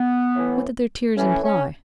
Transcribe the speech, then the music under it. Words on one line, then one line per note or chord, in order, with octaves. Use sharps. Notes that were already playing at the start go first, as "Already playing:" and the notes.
What did their tears imply?
Already playing: B3
A2 E3
A2 E3 C#4
C#4